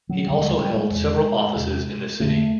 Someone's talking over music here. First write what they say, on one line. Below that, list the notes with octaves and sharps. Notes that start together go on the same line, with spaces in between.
He also held several offices in the city.
F#3
D#2 D3 G3
G#3
G3
G#3
E2 C3
E2 C3
F2 D3 A3
A3